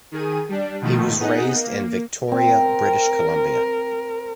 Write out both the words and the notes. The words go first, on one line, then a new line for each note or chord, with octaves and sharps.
He was raised in Victoria, British Columbia.
D#3 G#4 D#7
G3 D4
B2 D#3 F3 A3
B3 D#4 G#4 D#5 F#5
A#3
C4 A#4